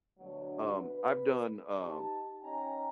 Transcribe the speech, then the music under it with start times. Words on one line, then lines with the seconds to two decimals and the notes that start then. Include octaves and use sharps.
Um, I've done, um
0.18 D2 B2 F#3 D4
0.79 B4
1.80 D#4 G4 A5
2.42 C#4 D#4 D#5 G5 G#5 A#5